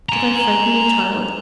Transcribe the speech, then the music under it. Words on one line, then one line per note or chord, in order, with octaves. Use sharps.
Did I frighten you, child?
G#5 A#5